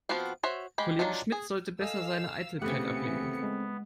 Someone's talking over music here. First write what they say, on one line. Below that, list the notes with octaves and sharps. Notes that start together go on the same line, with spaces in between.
Kollege Schmidt sollte besser seine Eitelkeit ablegen.
F3 B3 C4 F#4 F5
F#4 C5 C#5 E5
G#3 G4 B5
D#3 F3 F#3 D4 F4
G#4
A4 D#5 F5 G#5 E6
C#3 E3 A3 B3 C4 G4 F#6 C#7
G#3